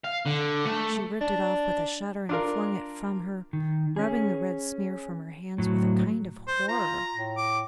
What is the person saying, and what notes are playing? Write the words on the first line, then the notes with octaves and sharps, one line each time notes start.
She ripped it off with a shudder and flung it from her, rubbing the red smear from her hands with a kind of horror.
F5
D3
A3
D4
D4 F4 A#4
D#3
C#4 G#4
A2 F#3
C5
F4 A#5
A2
D6